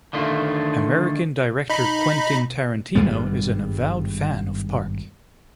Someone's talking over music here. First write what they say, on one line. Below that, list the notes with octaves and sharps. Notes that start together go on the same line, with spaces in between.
American director Quentin Tarantino is an avowed fan of Park.
D3 D#3 A3 F4
D#4 B5
G#1 G2 G3 B3